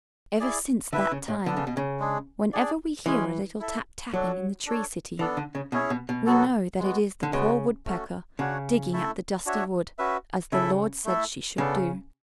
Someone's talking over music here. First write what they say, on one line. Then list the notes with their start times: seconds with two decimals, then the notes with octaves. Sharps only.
Ever since that time, whenever we hear a little tap-tapping in the tree city, we know that it is the poor Woodpecker digging at the dusty wood, as the Lord said she should do.
0.40 E4 G#4 D5
0.93 D3 E4 B4 E5
1.12 C#3
1.28 A2
1.46 D3 B3 D4 A4
1.57 C#3
1.67 B2
1.77 C#3
2.00 G#3 D4 G#4
2.53 D4 G#4 D5
3.06 E3 G#3 C#4 G#4
3.60 E4 A4 E5
4.13 F#3 D4 F#4 A4
4.66 D4 A4 C#5
5.19 E3 B3 D4 A4
5.37 D3
5.55 C#3
5.72 B2 C#4 E4 G#4 C#5
5.90 B2
6.09 B2
6.26 F#3 B3 F#4 A4
6.79 G#3 B3 F#4
7.23 D3
7.33 C#3 G#3 B3 F#4
7.86 A3 C#4 F#4 A4
8.39 C#3 D4 F#4 C#5 F#5
8.93 A3 E4 A4 E5
9.46 D4 F#4 C#5 E5
9.98 C#4 F#4 B4 E5
10.52 C#3 E4 A4 E5
11.05 A3 E4 A4 E5
11.58 C#3 B3 D4 A4